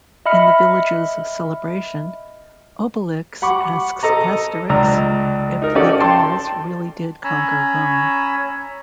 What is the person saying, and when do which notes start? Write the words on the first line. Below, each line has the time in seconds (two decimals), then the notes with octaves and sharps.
In the village's celebration, Obelix asks Asterix if the Gauls really did conquer Rome.
0.26 D#5 E5 B5 F6 C#7
3.42 F#5 B5 C#6 D6
4.03 A4 D#5 A#5
4.69 C#2 D4 A#5 E6
5.62 D#4 A#4
5.75 C#4 D#4 F#4 A4 D5
6.00 G5 A5 C6
7.24 C#4 C#5 G#5 A#5 B5 E6